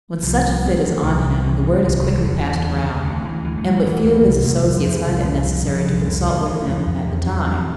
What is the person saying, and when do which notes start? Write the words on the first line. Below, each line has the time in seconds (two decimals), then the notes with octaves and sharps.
When such a fit is on him the word is quickly passed around, and but few of his associates find it necessary to consult with him at the time.
0.23 C2 F3
0.42 C2
0.64 D2
0.84 D2
1.03 C2 D3
1.23 C2
1.30 D3
1.43 D2 E3
1.64 D2
1.84 C2 E3
2.04 C2 E3
2.17 E3
2.24 E2 D3
2.45 E2
2.64 D2
2.84 D2
3.04 D2 D3
3.25 D2 E3
3.44 D2 E3
3.57 A3
3.64 D2 G3
3.84 D2 E3
4.05 D2
4.26 C2
4.45 C2
4.65 F2
4.85 F2 F3
4.96 E3
5.05 C2 D3
5.25 C2
5.45 F2
5.66 F2
5.86 C2 D3
5.96 E3
6.05 C2 D3
6.26 D2 E3
6.46 D2 E3
6.66 F2 E3
6.86 F2
7.06 E2
7.26 E2 D4
7.46 F2 C4